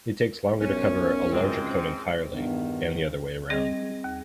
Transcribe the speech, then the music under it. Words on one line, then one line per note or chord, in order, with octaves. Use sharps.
It takes longer to cover a larger cone entirely, and the other way around.
B1 F#2 C#4
C#2 G#2 C4
E2 G2 D#3
G3 C4 G#4 D#5
D#2